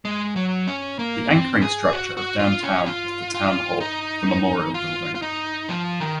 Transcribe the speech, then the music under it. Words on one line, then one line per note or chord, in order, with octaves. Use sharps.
The anchoring structure of Downtown is the town hall, The Memorial Building.
G#3
F#3
C#4
A#3
C4
G#4
F#4
F#4
F4
C#4
F4
F4
D#4
F4
F4
D#4
F3
D#3